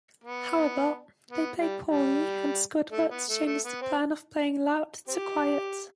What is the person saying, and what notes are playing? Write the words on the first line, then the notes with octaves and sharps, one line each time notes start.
However, they play poorly, and Squidward changes the plan of playing loud to quiet.
B3
B3
G3
G3
A3
B3
A3
A3
B3
C4
C4 G4